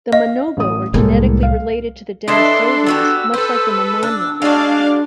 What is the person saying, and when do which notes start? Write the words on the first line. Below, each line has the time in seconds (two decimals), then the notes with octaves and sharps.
The Manobo are genetically related to the Denisovans, much like the Mamanwa.
0.13 D#5 F5
0.57 A1 D#6
0.94 C2 A2 G#3 A#3 A4
1.43 F5
2.28 E3 D4 E4 A4 D#5 C6
2.87 B3 F#4 G4 E6
3.34 A4 B4 C5
4.03 D4
4.42 G#3 D4 F#4 D5 F5